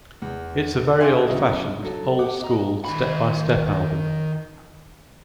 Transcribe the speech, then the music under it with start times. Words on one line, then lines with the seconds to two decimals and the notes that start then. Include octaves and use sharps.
It's a very old-fashioned, old-school, step-by-step album.
0.22 E2
1.00 E5 F5 G5 G#5 C6
1.27 D1 C#2 B2 F#3 E4 D#5
1.82 F#3 A4
2.19 G4 F#5 D6
2.40 F#4 D#5 A#5
2.85 D#3 B5